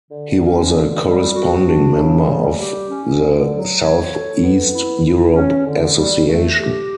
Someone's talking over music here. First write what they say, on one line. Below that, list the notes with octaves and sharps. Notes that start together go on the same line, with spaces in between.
He was a corresponding member of the Southeast Europe Association.
D3
C#4
D3
G3
F#4
D4
C#3
G3
G4
C#4
D3
F#3
C#5
A4
B3
E4
E4
C#4
D3
G3
A3
G4